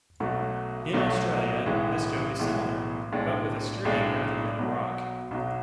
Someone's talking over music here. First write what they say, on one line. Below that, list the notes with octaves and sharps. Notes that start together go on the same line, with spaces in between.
In Australia this joke is similar but with a string rather than a rock.
B1 B2 F#3 A3
B1 B2 F#3 A3
B1 A2 E3 G#3 B3
B1 A2 E3 G#3 B3
B1 A2 G#3 D4
B1 A2 G#3 D4
B1 B2 F#3
B1 B2 F#3